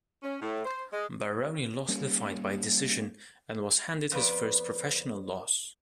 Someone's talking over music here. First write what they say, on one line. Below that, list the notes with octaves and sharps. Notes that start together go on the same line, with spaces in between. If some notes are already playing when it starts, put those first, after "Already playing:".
Baroni lost the fight by decision, and was handed his first professional loss.
C#4
A2
C5
G#3
G3 A#3 C#4
F2 B3 B4 D5